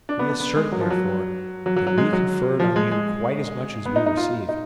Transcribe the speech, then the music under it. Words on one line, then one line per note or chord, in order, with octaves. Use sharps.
We assert, therefore, that we conferred on you quite as much as we received.
D4
B3
D4
B3
G#3
F#3
F3
F#3
F#3
F#3
F#3
G#3
F#3
F3
G#3
G#3
B3
D#4
D#4
F4
D#4